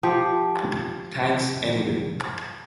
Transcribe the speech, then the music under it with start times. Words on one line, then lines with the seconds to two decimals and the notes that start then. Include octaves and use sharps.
Thanks anyway.
0.03 F3 G4